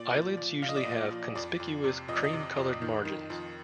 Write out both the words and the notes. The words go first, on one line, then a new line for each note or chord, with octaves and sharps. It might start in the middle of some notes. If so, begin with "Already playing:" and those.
Eyelids usually have conspicuous cream-coloured margins.
Already playing: A#2 D5
F3
F3
F3 F5
D#5
D5
A#2 D#5
F3
F2 D5
F2
C3
F2 D#5
D5
D#5
C3
F2
D#3
D#3
F2